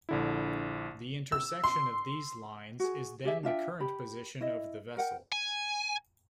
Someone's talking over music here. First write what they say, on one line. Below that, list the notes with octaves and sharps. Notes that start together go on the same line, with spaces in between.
The intersection of these lines is then the current position of the vessel.
A#1 D3 E4
E6
C6
F#4 G#4
G4 G#4 E5
D4 F4 E5 G5
G4 B5
E4 D#5
A#4 F#5 G5
G#5